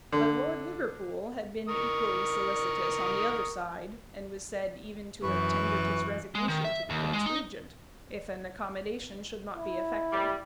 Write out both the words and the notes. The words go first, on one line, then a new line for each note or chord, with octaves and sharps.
But Lord Liverpool had been equally solicitous on the other side, and was said even to have tendered his resignation to the Prince Regent, if an accommodation should not be effected.
D3
A#4 C#6 D#6
F#2 E3 B4 C#6
G#3
D#3
E5
D#2
G#3
D#4
E4
G3